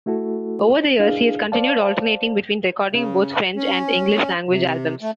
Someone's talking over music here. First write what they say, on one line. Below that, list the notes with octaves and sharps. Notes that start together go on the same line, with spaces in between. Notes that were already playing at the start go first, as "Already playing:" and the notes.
Over the years, he has continued alternating between recording both French and English-language albums.
A3 E4 F#4 A4
D4 E4 G#4 F5
C5 D5 F5 A5
C#3
C#4
C3
A3